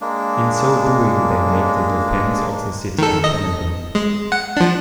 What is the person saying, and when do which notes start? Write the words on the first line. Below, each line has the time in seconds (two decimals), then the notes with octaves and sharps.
In so doing they made the defence of the city untenable.
0.01 G#3 A#3 D4
2.98 D#3 A4
3.24 D#5
3.95 G#3
4.32 F#5
4.57 F3 D4